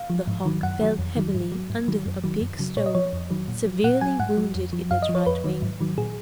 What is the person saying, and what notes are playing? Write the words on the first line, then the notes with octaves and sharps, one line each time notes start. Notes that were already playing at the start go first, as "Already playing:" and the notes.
The hawk fell heavily under a big stone, severely wounded in its right wing.
Already playing: F5
F3
G#2
D#3 F#3
F#2 F#5
D#3 F#3
F2
D#3 F#3
G#2
F#3
G#2
D#3 F#3
F#2
D#3 F#3
F#2
C#3 F#3
A#2 C#5
D#5
F3 C#5
F2
D#3 F#3
A#2
F#3
A#2 F#5
F#3 G#5
G#2 F#5
F#3
F2
F3
F#2 F5
D#5
F3
C#5
F2 B4
D#3 F#3
G#2
D#3 F#3
A#2 G#4